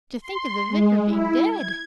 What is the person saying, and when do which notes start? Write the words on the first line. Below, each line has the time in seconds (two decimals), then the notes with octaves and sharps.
To think of the Vicar being dead!
0.21 C6
0.68 G#3
1.06 E4
1.49 G#6